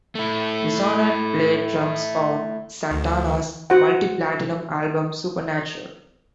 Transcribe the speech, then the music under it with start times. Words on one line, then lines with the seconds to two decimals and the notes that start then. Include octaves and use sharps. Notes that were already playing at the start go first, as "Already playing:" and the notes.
Bissonette played drums on Santana's multi-platinum album "Supernatural".
0.15 A3 E4
2.91 D2
3.70 F#4 C5 F#5